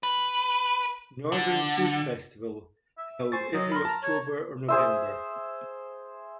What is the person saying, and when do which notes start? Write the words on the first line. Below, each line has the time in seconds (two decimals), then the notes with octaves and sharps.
Northern Food Festival held every October or November.
0.03 B4
1.32 D3
2.98 E5
3.32 C5 G#5 C#6 A6
3.54 F#3 D#5
3.72 A#4 B5 C6
3.85 A5 A#5
4.03 C#5
4.69 G#4 C5 E5